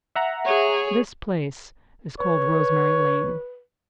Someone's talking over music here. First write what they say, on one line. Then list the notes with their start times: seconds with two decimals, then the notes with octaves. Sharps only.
This place is called Rosemary Lane.
0.15 E5 F#5 A#5
0.46 G#4 C#5
2.20 B4 C#5